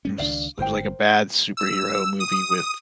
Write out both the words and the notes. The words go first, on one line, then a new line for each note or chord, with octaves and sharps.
it was it was like a bad superhero movie with,
G2 G3 C#4
C#2 D#3 D4 D5 F5
G1 A#4 C5 G5
E6
D#6